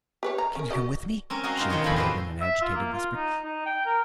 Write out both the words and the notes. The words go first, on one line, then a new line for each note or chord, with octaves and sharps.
'Can you come with me?' she inquired, in an agitated whisper.
G4 B4 C#5
D#5 A#5
C#4 A#4
F#4 D5 D#5
C4 C#4 A#4
F#4 G#4 A#4 D#5 F5
D#4 F4 C5 A#5 C6
B2 D#3 C4 C#5 D#5 C6
A2 F3 C4 G#4 B5
C4 F#4 G4 B4 B5 C6
E5
F4
A#3
F4
D#4
D#4
G5
A#4